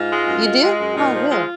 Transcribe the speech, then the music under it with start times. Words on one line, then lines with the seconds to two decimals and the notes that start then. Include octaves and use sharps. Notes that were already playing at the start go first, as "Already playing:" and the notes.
You do? Oh, good.
Already playing: G#2 F4
0.11 G#3
0.28 F#2
0.45 G#3
0.62 G#3
0.79 F#2
0.96 A#2 D#4
1.14 F3
1.31 G#3 F4